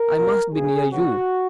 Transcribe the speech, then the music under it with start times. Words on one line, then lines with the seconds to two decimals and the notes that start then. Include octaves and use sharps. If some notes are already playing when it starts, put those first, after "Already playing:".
I must be near you.
Already playing: A#4
0.18 C#2 B2 F#3 A#3
0.53 B1 B2 A#3 G#4
0.89 C#2 C#3 F#3 B3 F#4